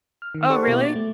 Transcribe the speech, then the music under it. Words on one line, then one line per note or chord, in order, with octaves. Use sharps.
Oh, really?
F6
D#3
G4 A4 C5 D5 F#5 C#6
B2 A#3 E4
D6 A6
A3